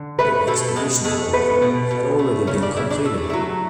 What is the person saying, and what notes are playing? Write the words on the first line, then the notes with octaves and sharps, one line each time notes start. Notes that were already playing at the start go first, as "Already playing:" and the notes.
The expedition, however, had already been completed.
Already playing: D3
A3 B3 B4
B2 A3 A4
A4
B2 G#3 G#4
G#3 A3 G#4
A3 B3 B4
B2
B2
A3
C#3 C#4 C#5
D4 D5
C#3 E4 E5
D4 D5
A3 E5
D5
F#3 E4 E5